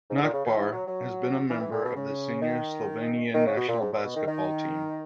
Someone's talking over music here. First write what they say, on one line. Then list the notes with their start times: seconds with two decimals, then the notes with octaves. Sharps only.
Nachbar has been a member of the senior Slovenian national basketball team.
0.10 G#2
0.23 A#2
0.34 C#3
0.45 D#3
0.57 E3
0.73 F#3
0.88 F#3
1.50 E3
1.62 E3
1.72 A#2
1.84 B2
1.96 C#3
2.42 D#3
3.34 D#3
3.47 C#3
3.57 B2
3.69 A#2
3.81 G#2
3.93 A#2
4.04 B2
4.16 D#3
4.28 D#3